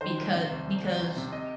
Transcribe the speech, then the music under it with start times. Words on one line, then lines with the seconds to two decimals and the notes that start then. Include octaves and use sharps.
becau because
0.01 D#3 C5
0.18 C2
0.34 C3
0.50 C2
0.66 C2
0.83 C2
1.00 C2
1.17 C3
1.32 D#5